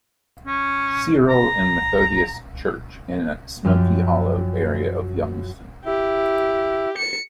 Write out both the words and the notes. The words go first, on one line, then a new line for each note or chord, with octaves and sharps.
Cyril and Methodius Church, in the Smoky Hollow area of Youngstown.
C#4
A#5
F#2 F3 G5 D6 F6
E4 G4
C#7